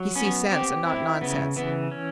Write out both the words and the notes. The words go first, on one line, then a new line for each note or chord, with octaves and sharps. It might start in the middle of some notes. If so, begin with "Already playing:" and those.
He sees sense, and not nonsense.
Already playing: F#3
B3 C#4
C4 G4
C4 E4
C#3 B3
E3 B3
C#4